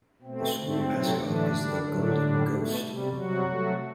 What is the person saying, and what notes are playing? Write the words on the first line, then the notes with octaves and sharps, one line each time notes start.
The school mascot is the "Golden Ghost".
B2 A3 C4
D3 A3 C4
C3 F#3 A3
A2 D3 E3 A3 D4
D3 G3
A2 D3 F#3 A3 D4
A2 G3
B2 A3
C3 G3
C3 F#3 G3 F#4
C3 F#3 A3